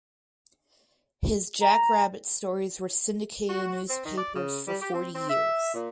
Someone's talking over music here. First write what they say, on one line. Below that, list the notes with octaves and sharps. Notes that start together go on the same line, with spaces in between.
His "Jack Rabbit" stories were syndicated in newspapers for forty years.
A#5
F#4
C4
D#3
D5
C#3
G3
G4
C4
C4
E5
A#2